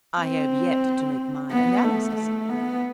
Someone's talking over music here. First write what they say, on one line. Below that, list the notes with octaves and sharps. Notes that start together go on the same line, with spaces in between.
"I have yet to make my analysis."
C4
B3
A3
A3
B3